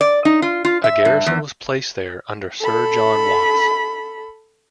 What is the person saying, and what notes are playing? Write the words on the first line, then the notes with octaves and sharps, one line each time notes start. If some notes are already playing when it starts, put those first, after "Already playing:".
A garrison was placed there under Sir John Watts.
D5
D#4
F4
F4
E5
G2
E2
A4 B5